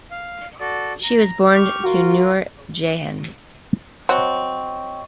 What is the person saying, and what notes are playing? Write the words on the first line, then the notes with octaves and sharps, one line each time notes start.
She was born to Noor Jehan.
F5
F#4 A4 D5
A#5
G4 C#6 F6
F4 F#4 A#4
F#3 C4 C#5 D#5 C#6